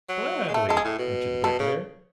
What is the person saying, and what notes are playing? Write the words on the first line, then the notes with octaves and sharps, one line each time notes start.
"Gladly," answered the Bricklayer.
F#3
G#3
A3 A4
G#3 A4
G#4
A2
B2
B2 A4
C#3